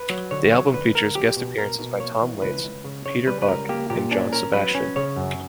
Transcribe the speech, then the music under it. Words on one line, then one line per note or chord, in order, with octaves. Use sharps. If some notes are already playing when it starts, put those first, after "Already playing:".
The album features guest appearances by Tom Waits, Peter Buck and John Sebastian.
Already playing: B4
F#3
D3 C#5
F#3 C#5
D3 B4
D2 A#4
F#3 G4
B2
B2 A#4
B2
A#3 C#5
E3
C#2 B4
C#2
C#3
C#3 C#5
G3 B4
B4
C#2 A#4
A#3 G4
A#2 G4
C#4 D4
C#4 A#4
F#3 B4
C#4
C#3 C#5
F#2